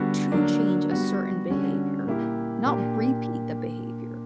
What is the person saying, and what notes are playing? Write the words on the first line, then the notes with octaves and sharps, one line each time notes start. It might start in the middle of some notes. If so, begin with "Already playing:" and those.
to change a certain behavior, not repeat the behavior.
Already playing: D3 G3 B3 F#4
D3 F#3 A#3 D4
G3 B3 F#4
D3 G3 C#4 F#4
A#2 A#3 E4 G4
A#2 A#3 D4 G4